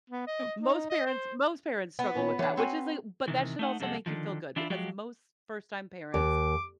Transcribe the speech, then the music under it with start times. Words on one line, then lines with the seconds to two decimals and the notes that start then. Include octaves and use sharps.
Most parents most parents struggle with that, which is a but that should also make you feel good because most first-time parents
0.10 B3
0.27 D#5
0.61 D#4
0.90 D#5
1.06 C5
1.99 B3
2.15 A#2 C#4 C#5
2.39 E3 D4 C#5
2.57 C4 F#4 G#5
3.28 C3 D#3 E3
3.59 A3 D#4 F#5
3.80 F2 C3 G3 G#3 A4 F#5
4.06 D3 D#3 F3
4.56 E3 D4 E4 F4
4.70 F3 F#3 G#3 F#4 G4
6.14 D#2 D6